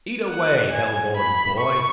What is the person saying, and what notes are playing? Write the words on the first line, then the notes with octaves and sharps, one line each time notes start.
Eat away, hell-born boy!
F#5
G#5
B5
C#6